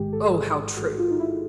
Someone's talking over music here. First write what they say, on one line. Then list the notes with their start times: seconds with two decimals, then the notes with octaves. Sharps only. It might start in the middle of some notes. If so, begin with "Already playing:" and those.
Oh, how true!
Already playing: A1 G#2 D#3 G#3 G4
0.13 A4
0.34 G#4
0.55 G4
0.77 A1 G#2 D#3 G#3 F#4
0.99 F4
1.11 D#4
1.20 E4